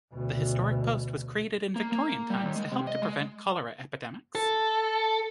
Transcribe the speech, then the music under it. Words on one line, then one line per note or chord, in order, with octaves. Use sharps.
The historic post was created in Victorian times to help to prevent cholera epidemics.
D2 B2
A#3
A#3
G3
D#2
G#3
C3
D#5
G#3
A4